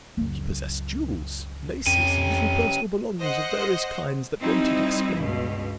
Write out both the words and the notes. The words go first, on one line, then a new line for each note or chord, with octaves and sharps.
She possessed jewels, laces, little personal belongings of various kinds, that wanted explaining.
C#2 F#2
F2 C#4 G4 D#7
C5 D#5 F#5
G3 C4 D#4 E4
C#2 G2 B2